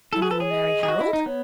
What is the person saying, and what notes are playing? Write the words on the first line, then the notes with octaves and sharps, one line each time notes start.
'And you will marry Harold?'
E4 A4
F#4 G#4
A4 B4
G#4 C#5
D#5
G#4
F#4
E4
D#4
B3 C#5